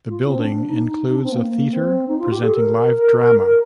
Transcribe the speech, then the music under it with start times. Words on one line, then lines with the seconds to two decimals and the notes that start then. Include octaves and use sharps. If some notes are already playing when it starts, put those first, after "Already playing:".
The building includes a theatre presenting live drama.
0.08 F4
0.27 C4
0.39 D4
0.69 D#4
1.07 D#4
1.15 D4
1.23 C4
1.31 A#3
1.52 A#3
1.72 C4
2.07 D#4
2.18 F4
2.31 G4
2.43 A4
2.55 A#4